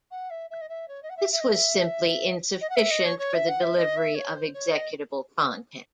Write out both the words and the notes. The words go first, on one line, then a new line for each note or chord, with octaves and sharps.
This was simply insufficient for the delivery of executable content.
F#5
E5
E5
D#5
E5
C#5
D#5
F#5
E5
E5
D#5
E5
D#5
F#5
E5
D#5
C#5
C#5
E5
F#5
E5
D#5
E5
C#5
C5
C#5
D#5